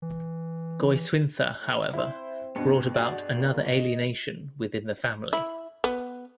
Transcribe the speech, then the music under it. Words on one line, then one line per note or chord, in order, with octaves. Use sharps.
Goiswintha, however, brought about another alienation within the family.
E3
A2
C4 E4 C5
G2 B2 B3
F#4 G#4 D5
A#2
D#5
E4
B3